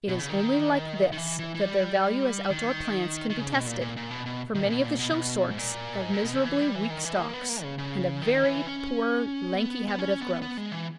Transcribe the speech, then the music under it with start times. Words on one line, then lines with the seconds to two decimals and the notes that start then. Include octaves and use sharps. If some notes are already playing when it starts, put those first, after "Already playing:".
It is only like this that their value as outdoor plants can be tested; for many of the show sorts have miserably weak stalks, and a very poor, lanky habit of growth.
0.09 B2
0.19 C#3
0.29 D#3
1.13 D#3
1.18 E3
1.39 E3
1.55 E3
1.61 G3
2.50 D#3
3.30 D#3
3.37 C#3
3.52 B2
3.67 A#2
3.81 A#2
3.97 A#2
4.11 B2
4.26 B2
4.55 D#3
4.65 A#2
4.70 B2
4.85 A#2
4.99 B2
5.13 B2
5.50 G#2
5.58 A#2
6.01 G#2
6.13 A#2
6.24 B2
6.35 C#3
6.45 E3
6.61 G3
6.75 E3
6.90 D#3
7.05 E3
7.19 A#3
7.34 B3
7.49 A#3
7.63 C#3
7.78 C#3
8.22 D#3
8.44 E3
8.67 C#4
9.54 B3
9.88 B3
9.99 C#4
10.20 B3
10.42 B3
10.57 G#3
10.71 E3